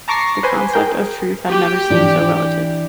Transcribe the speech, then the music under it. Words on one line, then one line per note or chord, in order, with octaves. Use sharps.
The concept of truth had never seemed so relative.
A5 A#5 C#6 D6 A#6 C7
B4 C5 G#5 C6
G#4 A#4 G5
G4
E3 D4